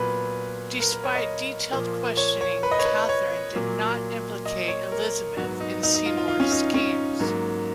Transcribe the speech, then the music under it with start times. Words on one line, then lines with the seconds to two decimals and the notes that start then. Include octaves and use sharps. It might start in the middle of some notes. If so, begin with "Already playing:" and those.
Despite detailed questioning, Katherine did not implicate Elizabeth in Seymour's schemes.
Already playing: A#2 F#3 B3 B4
0.80 A#4
0.92 A#4
1.04 C#5
1.15 D#5
1.72 A#2 F3 A#3
2.17 C#5
2.41 C#5
2.63 B4
2.71 D#5
2.79 C#5
2.85 B4
3.09 C#5
3.55 A#2 F#3 A#3
4.46 D#5
4.68 C#5
4.92 A#4
5.37 G#2 F#3 B3 F#4
5.60 D#4
5.83 D#4
5.95 D#4
6.06 F4
6.18 F4
6.28 F4
6.40 C#4
6.52 D#4
6.74 C#4
7.20 G#2 F#3 A#3